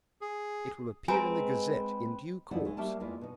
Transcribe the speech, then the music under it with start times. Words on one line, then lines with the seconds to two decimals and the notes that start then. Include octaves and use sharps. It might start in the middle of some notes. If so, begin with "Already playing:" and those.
It will appear in 'The Gazette' in due course.
0.21 G#4
1.08 G#3 C4 B4 G#5 A#5
2.51 F2 D#4 E4 C5 D5 F#5
2.65 G#3 A3
2.77 G3 A3 A#3 A#4 G5 A5
3.00 E2 G#3 A#3 E4 F4
3.21 B2 D#4